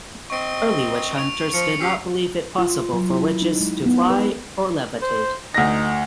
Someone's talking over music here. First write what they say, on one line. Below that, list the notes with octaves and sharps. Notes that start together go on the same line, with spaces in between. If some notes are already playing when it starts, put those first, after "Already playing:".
Early witch hunters did not believe it possible for witches to fly or levitate.
C4 D#5 C#6 D7
C#6 D7 F7
F3 C#7
C#4 G4 E6 C7 F7
F4
F#3
E4
D#4
G#3
B3
B4
C5
D2 D#4 A#6